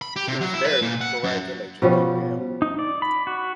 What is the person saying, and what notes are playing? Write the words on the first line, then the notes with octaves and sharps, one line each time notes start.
She was buried in Gorai village in Tangail.
B5
G4
C3
F#3
E4
B4
A#2
F#5
F#2
B2 F3 G3 C#4
D#4
D5
B5
F#4